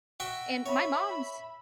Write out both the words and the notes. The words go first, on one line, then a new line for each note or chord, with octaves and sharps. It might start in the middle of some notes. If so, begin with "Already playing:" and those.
And my mom's
F#4 E5 G5
C#5 E5 B5